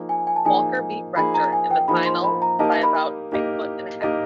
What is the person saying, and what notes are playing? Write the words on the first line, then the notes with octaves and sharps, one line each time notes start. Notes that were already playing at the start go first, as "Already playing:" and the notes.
Walker beat Rector in the final by about a foot and half.
Already playing: F3 A#3 D#4 G#4
G#5
G#5
A5
F3 A#3 D#4 G#4 G#5
F3 A#3 D#4 G#4 B5
A#5
G#5
G5
F3 A#3 D#4 G#4 B5
C6
B5
A#5
A#3 D#4 G4 A#4 D#5 A5
B5
A#3 D#4 G4 A#4 D#5
A#3 D#4 G4 A#4 D#5